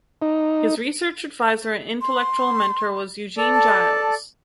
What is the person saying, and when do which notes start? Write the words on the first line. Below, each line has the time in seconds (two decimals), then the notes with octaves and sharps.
His research advisor and intellectual mentor was Eugene Giles.
0.22 D#4
2.01 C6
3.37 A4 D5
3.54 A5